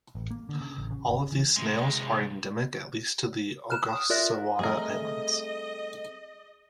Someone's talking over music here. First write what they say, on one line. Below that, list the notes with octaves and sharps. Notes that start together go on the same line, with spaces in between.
All of these snails are endemic at least to the Ogasawara Islands.
A1
A#3
D3
C#3
A1
C#3
G1
C#3
E3
C3 G#3
F6 F#6 E7
D#6
F4 A#4 D5 E5 F#6 A#6
G3 A3 C4 G#4 A#4 D#5